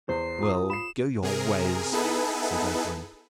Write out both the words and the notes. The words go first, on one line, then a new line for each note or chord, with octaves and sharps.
"Well, go your ways," said Oberon.
E2 C5 C7
F4 D#6
B5 C7 E7
C3 G#4 A#4
B3 D#4 E4 G#4 A4 B4